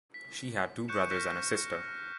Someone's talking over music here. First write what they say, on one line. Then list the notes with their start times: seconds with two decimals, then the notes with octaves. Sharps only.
She had two brothers and a sister.
0.14 B6
0.88 C#6 F#6 G6 C#7 E7
1.10 F6 G6 A#6 B6 E7